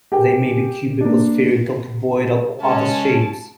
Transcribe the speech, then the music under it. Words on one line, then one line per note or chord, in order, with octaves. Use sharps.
They may be cubical, spherical, cuboidal, or other shapes.
G4 G#4 A#4 G5
A#3 D4
C#3 G#3 C#4 A5